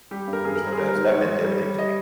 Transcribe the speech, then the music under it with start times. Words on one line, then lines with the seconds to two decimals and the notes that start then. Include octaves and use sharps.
it was the best. That meant everything to me.
0.11 G3 G4
0.27 G2
0.33 A#4
0.45 G2 G#4
0.56 A#4
0.62 G3
0.67 C5
0.72 G#4
0.78 G3 A#4
0.95 G#2
1.11 G#2 C#5
1.28 G3
1.45 G3
1.61 G3
1.79 D#5